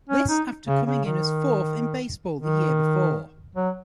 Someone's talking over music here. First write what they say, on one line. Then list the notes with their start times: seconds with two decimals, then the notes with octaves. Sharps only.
This after coming in as fourth in baseball the year before.
0.09 C#4
0.28 D#4
0.67 C#3
0.86 C#3
1.05 D#3
2.40 D#3
3.55 F#3